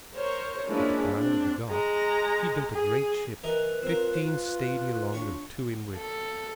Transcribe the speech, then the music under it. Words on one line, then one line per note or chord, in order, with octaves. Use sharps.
At the command of the god he built a great ship fifteen stadia long and two in width.
A#4 C5 C#5
F3 G#3 A#3 C#4 D4 E4
C4 D4
G#3 A#5
G#4
E3 D#4 A#4 B4
C4 F4 A#4
C5
D4 F4 C#5 C#6
A4